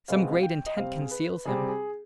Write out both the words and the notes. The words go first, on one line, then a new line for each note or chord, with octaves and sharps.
Some great intent Conceals him.
B2 G#3 C4 F5
F5
G5
D#5
C3 G3 C4 F5
G#4
B4
C3 G3 C4 G#4
G#4